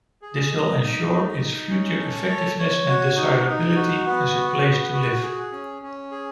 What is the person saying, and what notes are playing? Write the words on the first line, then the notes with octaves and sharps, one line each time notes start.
This will ensure its future effectiveness and desirability as a place to live.
G#4
D#5
D#4
D#4
D#4
C#4
A4
C#5
C#5
F#4
D#4
D#4
F#4
B3
F#4
B3
F#4
G#4
C#4
C#4
G#4